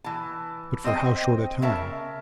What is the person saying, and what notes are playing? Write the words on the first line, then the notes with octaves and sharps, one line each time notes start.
But for how short a time!
E3 A5
C4 C5 D#5 G5
C#3 A#4 E5 A5